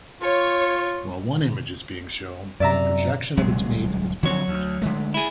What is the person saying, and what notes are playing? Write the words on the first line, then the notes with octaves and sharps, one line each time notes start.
While one image is being shown, the projection of its mate is blocked.
F4 C#5
F#2 C3 D5 E5 A#5
D1 C2 F#2 F#3 G#3
D3 F3 F#3 C4 C#5
D2
D3 G#3 A3
E4 G#4